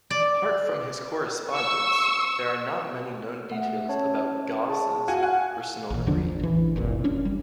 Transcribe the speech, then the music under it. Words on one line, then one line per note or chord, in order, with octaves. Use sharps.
Apart from his correspondence, there are not many known details about Gauss' personal creed.
D5
C#6 E6
A3 F#5
C#4 C#5 A5
G#4 A5 C#6
F#4 F5 G5 G#5
F#5 G#5
A1 A#2
E2 D3 F3 D4
A1 E3
F#1 C2 A#2
F1 C#4 D4
G3